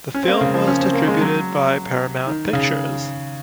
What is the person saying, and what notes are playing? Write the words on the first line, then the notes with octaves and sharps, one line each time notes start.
The film was distributed by Paramount Pictures.
C#4
C4
A#3
C#3
F3
C#4
C4
A#3
G#3
F#3
D#3
C#3